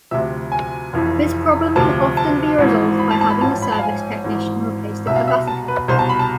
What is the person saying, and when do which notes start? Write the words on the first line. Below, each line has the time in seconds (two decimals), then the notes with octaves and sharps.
This problem can often be resolved by having a service technician replace the capacitor.
0.11 D2 C3 F3 E5
0.52 G#5
0.93 F1 F2 E3
1.75 D2 C3 F3 A5
2.17 A5
2.58 G#1 G#2 E3
2.99 B5
3.11 A5
3.21 A5
3.30 B5
3.41 A1 G#2 F3 A5
3.51 A5
3.62 B5
3.72 A5
3.79 F5
3.83 G#5
4.24 G#1 G#2 E3
5.07 C2 B2 E5
5.16 F5
5.28 E5
5.47 A5
5.68 B4
5.88 C2 B2 C5
5.99 A5
6.09 B5
6.19 A5